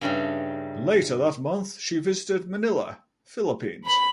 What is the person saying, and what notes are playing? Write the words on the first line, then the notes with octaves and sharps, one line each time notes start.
Later that month she visited Manila, Philippines.
G2 C#3 G3 A3 D#4
B5